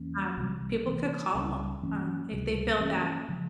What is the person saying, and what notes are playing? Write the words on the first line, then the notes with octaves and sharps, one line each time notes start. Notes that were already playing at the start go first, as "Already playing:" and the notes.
um, people could call, um, if they feel that
Already playing: E2 E3 A#3 C#4
C2 C3 E3 G3
C3 E3 A#3
C#2 C#3 G3
G2 E3 A#3 C#4
C#2 C3 G3
G2 E3 A#3 C#4
C#3 F3 G#3